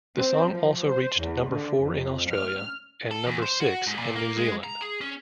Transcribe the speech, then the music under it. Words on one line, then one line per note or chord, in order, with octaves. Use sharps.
The song also reached number four in Australia and number six in New Zealand.
C4
F3
C5
E2
D3
F2
F6
A4
E2
C5
F#4
G#2
A#2
A#3
G#3
A#5
G#4
C#4